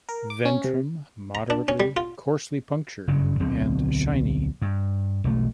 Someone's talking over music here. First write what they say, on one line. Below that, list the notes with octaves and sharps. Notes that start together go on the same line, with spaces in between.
Ventrum moderately coarsely punctured and shiny.
A#4
D6
C#4
C3
A#5
D4
C#4
G3
F4
F#1 G2 C#3
D1 B1 D3 C4
G2
E1 B1 A3